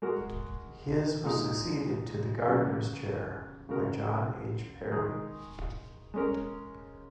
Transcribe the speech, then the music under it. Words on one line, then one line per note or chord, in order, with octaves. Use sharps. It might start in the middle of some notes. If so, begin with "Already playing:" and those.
His was succeeded to the Gardiner's chair by John H. Parry.
G#3 F#4 A#4
A#2 G#3 D#4
C#3 F#3 A#3
C#3 G#3 F#4 A#4
D#3 G#3 D#4 G#4
G#3 C#4 A#4